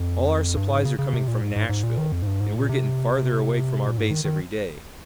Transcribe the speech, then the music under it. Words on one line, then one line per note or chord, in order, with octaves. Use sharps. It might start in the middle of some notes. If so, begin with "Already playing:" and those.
"All our supplies are coming from Nashville, and we are getting farther away from our base every day."
Already playing: F2
G2
G#2
C#3
C#3
C3
A#2
G#2
G#2
G#2
A#2
D#3
F2
G#2
G2
G#2
A#2
C3
A#2
G#2
D#3
D#3